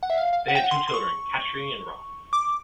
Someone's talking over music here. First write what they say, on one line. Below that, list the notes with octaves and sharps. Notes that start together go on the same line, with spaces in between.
They had two children, Katri and Rob.
F#5
E5
F5
F5
F#5
G5
F#5
C6
C6
C#6
D6